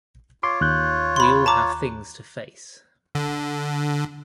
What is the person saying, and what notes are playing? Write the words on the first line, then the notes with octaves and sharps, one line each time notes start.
We all have things to face.
F4 C#5 C6 D6
D#2 F#6 G6
B5 C6
A5 A#5 D6
D3